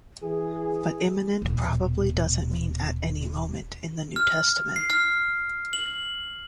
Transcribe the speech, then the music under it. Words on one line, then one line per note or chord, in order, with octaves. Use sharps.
But imminent probably doesn't mean 'at any moment' in the New Testament.
E3 G#4
D#1 B2
F6
C7
F6
F#7